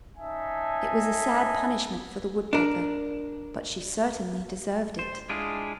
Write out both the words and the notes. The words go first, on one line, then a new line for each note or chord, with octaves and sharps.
It was a sad punishment for the Woodpecker, but she certainly deserved it.
C#4 D#4 E5 G#5 A5
D4 A#4
C5
G#3 D4 E4 F4 G#4